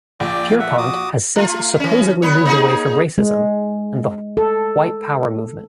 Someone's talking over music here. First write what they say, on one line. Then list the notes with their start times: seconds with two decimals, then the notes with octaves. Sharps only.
Pierpont has since supposedly moved away from racism and the white power movement.
0.20 A#1 D5 G5 D6
0.60 E5 F#5
0.78 F#4 D6 D#6
1.36 A3 F4
1.80 E3 C#4
2.22 F#3 B3 C#5
2.46 A#3 D#4 G#4
3.18 G#3
4.37 A4